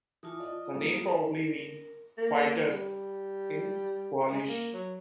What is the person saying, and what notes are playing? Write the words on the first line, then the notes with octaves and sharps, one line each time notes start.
The name probably means "fighters" in Gaulish.
E3 F4 A5 D#6
D5 D#5
G3 A#3 A4
E7
A#4
A#3
G3
G#3
A#3
F#3